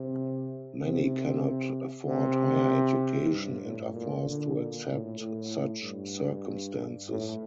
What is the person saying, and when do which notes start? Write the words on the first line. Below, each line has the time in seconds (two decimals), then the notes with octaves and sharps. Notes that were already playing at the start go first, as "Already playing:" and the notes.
Many cannot afford higher education and are forced to accept such circumstances.
Already playing: C3
0.79 C3
2.06 C3
3.31 G2
3.63 A2
3.94 A#2
4.25 D3
4.58 A#2
4.88 A2
5.20 A2
5.83 G2
7.09 A2